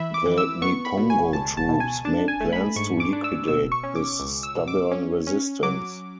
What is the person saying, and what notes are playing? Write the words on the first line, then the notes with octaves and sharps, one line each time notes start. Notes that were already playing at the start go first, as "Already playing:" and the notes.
The Niponggo troops made plans to liquidate this stubborn resistance.
Already playing: E3 E5 B5
D6
E3
E6
B3 C#6
B5
B2
G#5
C#2 A5
A5
B2
G#5
D4 A5
G#5
A3
B5
G#2 C#6
D6
D4
E6
B2 E6
C#6
C#4
D6
C#2
E6
B2
D6
C#4
C#4
F#3 D6